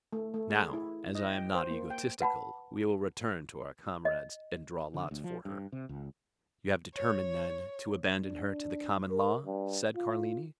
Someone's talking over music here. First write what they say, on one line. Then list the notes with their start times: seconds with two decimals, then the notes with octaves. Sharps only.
Now, as I am not egotistical, we will return to our comrades and draw lots for her.'--'You have determined, then, to abandon her to the common law?' said Carlini.
0.13 A3
0.34 A3
0.50 G#4
0.73 E4
1.15 D#5
1.33 G5
1.55 C5
1.71 A#3
1.90 G5
2.20 B4 F#5 A5 B5
4.05 D#5
4.94 D3
5.11 D2
5.24 F3
5.45 G2
5.72 C3
5.89 C#2
6.94 C#5
8.23 D4
9.11 A#4
9.46 G2
9.96 F4